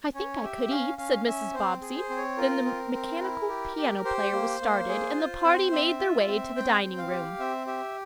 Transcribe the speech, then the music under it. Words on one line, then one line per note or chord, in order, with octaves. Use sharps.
"I think I could eat," said Mrs. Bobbsey, then the mechanical piano player was started, and the party made their way to the dining room.
C#4 C#5
G4 E5
C#4 F5
C#4 F5
C#4 E5
C4 C5
G#4
C5
C4
C#5
F4 A#4
C4
C4
E4
G4
G4
G4 C5
A#3
A#3
G#4
F4
C4
C4 E5
F4
C4
C4 G5
C4
F5
G4
C4 E5
G4 E5